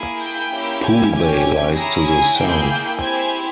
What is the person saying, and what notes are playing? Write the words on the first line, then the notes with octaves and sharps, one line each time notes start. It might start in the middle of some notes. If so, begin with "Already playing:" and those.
Poole Bay lies to the South.
Already playing: A#3 E4 G#4
G5 G6
A#3 C#4 E4 G4
G#5 G#6
C#4 G4 G#5 G#6
C#4 E4 G#4 A#5 A#6
G#5 G#6
A#3 E4 G#4 G5 G6
C4 E4 G4 G#5 G#6